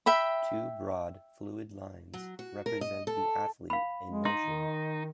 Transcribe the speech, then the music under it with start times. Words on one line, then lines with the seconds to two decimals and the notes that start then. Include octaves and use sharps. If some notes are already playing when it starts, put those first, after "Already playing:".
Two broad fluid lines represent the athlete in motion.
0.06 E5 G5 B5
2.14 F#3
2.39 F#4
2.66 A#4
2.81 D#5
3.07 A4
3.70 F5 B5
4.10 G#3
4.25 D#4 C6
4.41 D#3